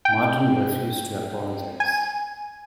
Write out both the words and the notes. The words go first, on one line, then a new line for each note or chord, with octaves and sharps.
Martin refused to apologize.
G5
G#5